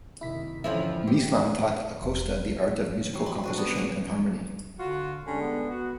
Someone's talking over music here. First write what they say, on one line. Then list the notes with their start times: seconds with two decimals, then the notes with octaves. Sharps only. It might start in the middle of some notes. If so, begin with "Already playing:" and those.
Mislan taught Acosta the art of musical composition and harmony.
0.21 F#1 C3 D#3 E4 B6
0.64 G#1 F2 D3 E3 F3 C#4 E4 C5
1.07 D2 G2 D#3 E3 G4
2.02 E1
2.48 D#2
3.14 F#3 G4 C5
3.26 B5 C6
3.44 D4 F#4 B4
3.58 B3
3.74 F#4 G#4 F5
4.78 D3 F4 F#4
5.26 D3 G3 G#3 C#4
5.41 B3
5.71 F#4